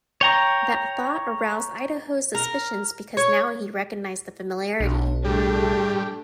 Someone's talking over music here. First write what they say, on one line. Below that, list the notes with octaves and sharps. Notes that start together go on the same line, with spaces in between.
That thought aroused Idaho's suspicions because now he recognized the familiarity.
C#5 G5 A#5
A#4
C#5
B1 D4
A2 G3 A3 D4 G#4